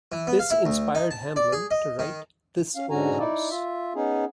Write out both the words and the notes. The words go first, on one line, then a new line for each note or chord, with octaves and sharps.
This inspired Hamblen to write "This Ole House".
E3
B3
F5
E4
D2
D#4
A5
D5
G#4
D#5
D#3
C#4 F5
G#2 D3 C#4 F#4 G#5 A#5
D#4 E4 D5
F4 E5
B3 C#4 D#4 G#4